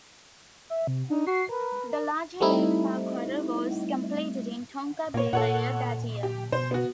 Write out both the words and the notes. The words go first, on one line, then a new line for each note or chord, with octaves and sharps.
The larger Lake Park Hotel was completed in Tonka Bay later that year.
E5
C3
D4 D#4
F#4 C7
A#4 B4
G3 A3 C4 D#4 E4
A#2 A#3 C#5
A#2 A4 C#5 F#5
G4
B2 C5
B3 F#4